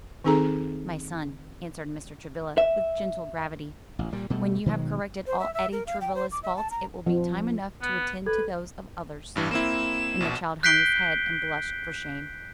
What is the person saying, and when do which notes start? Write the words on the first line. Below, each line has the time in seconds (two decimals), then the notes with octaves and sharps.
"My son," answered Mr. Travilla with gentle gravity, "when you have corrected all Eddie Travilla's faults it will be time enough to attend to those of others." And the child hung his head and blushed for shame.
0.24 D#3 C4 D#4 G#4 A4 A#5
2.58 E5
3.99 A1
4.13 A#2 G3
4.30 B2 G3 A3
4.66 B2 D#3 F#3 G#3
5.27 C5
5.39 E5
5.54 E5
5.72 A#4
5.86 F5
6.01 G5
6.15 C5
6.32 D6
6.43 E5
6.56 A5
6.71 A#5
7.06 F3
7.82 B3
8.26 A4 B4 G#6
9.35 A1 G2 E3
9.51 A#3 C4 E4 E7
10.20 A#1 B2
10.63 F#6 G6 B6 C7 D7 G7